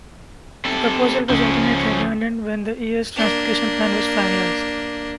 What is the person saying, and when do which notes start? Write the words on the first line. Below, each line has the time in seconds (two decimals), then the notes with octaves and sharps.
The proposal was ultimately abandoned when the year's transportation plan was finalized.
0.65 C3 A4
1.30 C#2 F3 C#4
3.16 A#3 D4